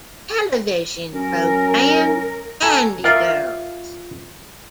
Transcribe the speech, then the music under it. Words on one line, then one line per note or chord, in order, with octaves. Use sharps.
Television program "Candy Girls".
F#3 C#4 A#4
F#4 A4 G#5 A#5
F4 A#4 D5 E5